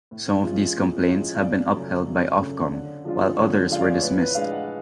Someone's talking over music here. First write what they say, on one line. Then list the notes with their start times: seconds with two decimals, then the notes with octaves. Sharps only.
Some of these complaints have been upheld by Ofcom, while others were dismissed.
0.11 A2
0.43 F3 G#3 C#4 F4
0.76 A2
1.09 F3 G#3 C#4 F4
1.35 F5
1.42 F#2 D5
1.74 C#3 F#3 A3 C#4
2.07 F#2
2.39 C#3 F#3 A3 C#4
2.73 D3
3.05 F3 G#3 D4 F4
3.37 D3 C#5
3.70 F3 G#3 D4 F4 F5
3.82 D5
3.92 C#5
4.02 A2 B4
4.18 B4
4.34 G#3 D4 F5
4.52 F#5